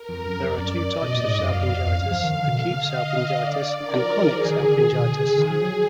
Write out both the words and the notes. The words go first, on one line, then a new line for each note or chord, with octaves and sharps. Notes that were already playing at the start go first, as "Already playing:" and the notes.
There are two types of salpingitis: acute salpingitis and chronic salpingitis.
Already playing: A#4
F2
F#2
F2 D5
F#2
F#2
D#5
B2
A#2
G#2
F#2 F5
F#2
F2
F2
F#2
F3
D#3
D3
B2
D3
D3
D#5
D5
D3 A#4
D3
F#3
F3
F#3
D#3
F3 G#4
D#3
D3
D#3
B2
D3
D3
D#3
F3
F#3